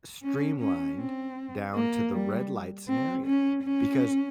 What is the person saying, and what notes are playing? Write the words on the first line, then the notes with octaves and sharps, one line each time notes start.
streamlined down to the red light scenario because,
C#4
C#4
C4
A#3
G3
C4
C#4
C#4